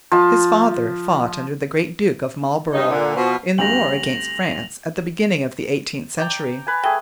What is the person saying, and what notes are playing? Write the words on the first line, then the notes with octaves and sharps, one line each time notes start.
His father fought under the great Duke of Marlborough in the war against France at the beginning of the eighteenth century.
F3 A5
G2 D#4
A#2 D3
B2 F3
D2 G2 C3 A#6 F7 F#7
D5 G5 A#5
B4 G#5
A3 G#4 G5